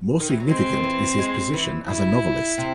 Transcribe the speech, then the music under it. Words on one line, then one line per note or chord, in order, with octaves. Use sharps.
More significant is his position as a novelist.
D#3
E3
F#3
G#3 C4
D#3
E3
G#3
E3
C#3 E4
C3